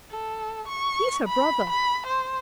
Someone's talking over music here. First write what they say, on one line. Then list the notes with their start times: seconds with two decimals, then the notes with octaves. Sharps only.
He's her brother.
0.11 A4
0.68 C#6
1.28 B5
1.70 B5
2.07 C5